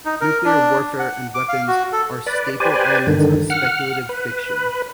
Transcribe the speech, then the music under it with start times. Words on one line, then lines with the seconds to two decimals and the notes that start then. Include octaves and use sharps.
Nuclear warfare and weapons are staple elements of speculative fiction.
0.05 D#4
0.21 A#4
0.45 D4
0.99 F#5
1.35 D6
1.48 F5
1.68 F#4
1.93 A4
2.27 B4 D5
2.60 G4 B4 C5 D5 G#5
3.07 G2 D3 D#3
3.50 F#5 F6
4.09 B4